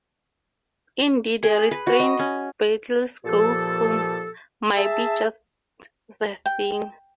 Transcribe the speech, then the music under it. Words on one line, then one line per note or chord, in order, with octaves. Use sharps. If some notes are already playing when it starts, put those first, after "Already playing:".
Indeed a restrained 'Beatles go home' might be just the thing.
G#4
B4
F#4
D#5
C#4
A#2 F3 G4 A4
G#4 E5 A5
G5